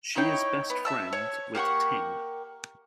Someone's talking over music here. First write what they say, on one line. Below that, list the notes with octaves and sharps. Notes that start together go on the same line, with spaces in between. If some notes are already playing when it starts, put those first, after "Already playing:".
She is best friend with Ting.
D#4 E4 C#5 G5
B3
E5 A5 E6
C#5
A#3 G4 F#5 C#6